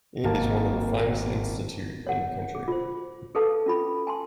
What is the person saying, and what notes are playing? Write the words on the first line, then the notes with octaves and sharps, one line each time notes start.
It is one of the finest institute in the country.
G#1 A#3 A5
C#5 F#5
G#4
F4 C5
G#4 A4 B4 F5 A5
C#4 F4 B5
G#5 A5 C6